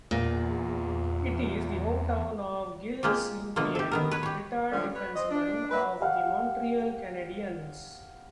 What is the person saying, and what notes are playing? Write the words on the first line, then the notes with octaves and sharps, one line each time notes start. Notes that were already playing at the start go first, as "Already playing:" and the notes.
It is the hometown of Gilles Lupien, retired defenceman of the Montreal Canadiens.
E2 A#2
G#3 A#3 F4 G4
B2 D3 F3 A3 A#3
G4 A4
D#3 B3 A#4
B4 C#5
G4 C#5
D3 F3 G3 A3 C#4
B4 C#5
C4 D#5
D4
A#3 E4 B4
G4 F5 F#5